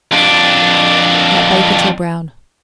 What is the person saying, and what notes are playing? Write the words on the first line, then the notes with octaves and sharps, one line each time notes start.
Let bake until brown.
F2 D4